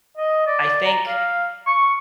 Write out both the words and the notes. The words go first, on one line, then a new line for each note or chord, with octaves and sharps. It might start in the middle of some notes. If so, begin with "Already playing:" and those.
I think
D#5
D5
A#5
F5
C#6